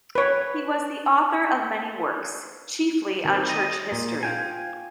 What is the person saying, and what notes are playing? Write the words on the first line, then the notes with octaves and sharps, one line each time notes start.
He was the author of many works, chiefly on church history.
B4 C#5
D#3 C4
D#5
A#2
F4 G5 G#5